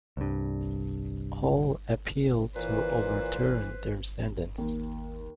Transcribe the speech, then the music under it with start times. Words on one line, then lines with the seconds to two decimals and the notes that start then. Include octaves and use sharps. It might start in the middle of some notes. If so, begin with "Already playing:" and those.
All appealed to overturn their sentence.
0.17 C2 G2
2.56 A#2 E3 B4 C5
4.58 D#2